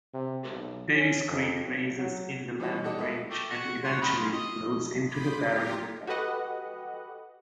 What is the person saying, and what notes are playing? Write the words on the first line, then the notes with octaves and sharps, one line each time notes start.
Davies Creek raises in the Lamb Range and eventually flows into the Barron River.
C3
B1
C#4
F2
B1
F#3
E3 G3 B3 C#4 F4 F#4
D#4 F#4 G4 A4 D5 D#5
G#3 A#3 B3 F4 E5
A3 G4
F#4
C5 C#5 F#5
D#3 F#3 B5
C4 C#4 F4
D#5 D#6
B5 C6 D6 D#6 G6 B6
F4 G4 A#4
F#4 G4 A4 B4 D#5 F#5